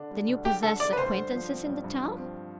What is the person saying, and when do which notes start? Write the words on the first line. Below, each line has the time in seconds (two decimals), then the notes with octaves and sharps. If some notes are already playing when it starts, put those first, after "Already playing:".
"Then you possess acquaintances in the town?"
Already playing: D3 D4
0.11 G3
0.28 D2
0.44 D4 G4
0.63 D3 A4
0.80 G3 D5
0.93 B4
0.97 D2 C5
1.15 G2
1.32 F3
1.49 C4
1.66 G2
1.84 G2
2.01 F3
2.18 C4